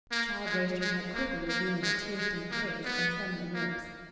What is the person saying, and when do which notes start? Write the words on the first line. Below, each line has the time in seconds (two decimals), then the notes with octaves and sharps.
The child raised her head quickly, revealing a tear-stained face and trembling lips.
0.11 A#3
0.46 G#3
0.80 G#3
1.14 A#3
1.48 A#3
1.83 G#3
2.18 G#3
2.51 A#3
2.85 B3
3.54 A#3